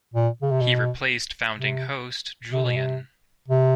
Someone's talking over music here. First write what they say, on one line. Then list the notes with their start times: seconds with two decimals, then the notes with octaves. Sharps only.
He replaced founding host Julian.
0.14 A#2
0.42 C#3
0.51 C3
0.62 B2
1.57 C3
2.53 C3
2.65 B2
2.76 C3
3.48 C3